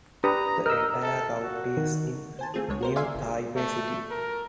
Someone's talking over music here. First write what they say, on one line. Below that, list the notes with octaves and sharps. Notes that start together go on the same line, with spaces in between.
The entire route is in New Taipei City.
D4 G4 B4 A#5 D#6
A#4 D#5 E6 F6
A4
F#4
D#3
C5 G#5 A5
A3 C4 F4 G#4
C#2 D3 G#3 C#5
F#4 A#4 C5
D5 E5 F5 G#5 C6
G1
A3
A#4